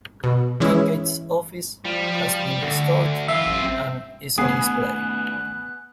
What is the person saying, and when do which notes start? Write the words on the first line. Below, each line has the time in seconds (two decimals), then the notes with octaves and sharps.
Kinkaid's office has been restored and is on display.
0.24 B2
0.60 E3 G#3 C#4 E4
1.85 F3 G3
2.62 D2 D3
3.28 F#2 E3 F4 E5
3.46 A1
3.62 C4
4.38 D#3 A3 B3 G#5 D#6 F#6 C7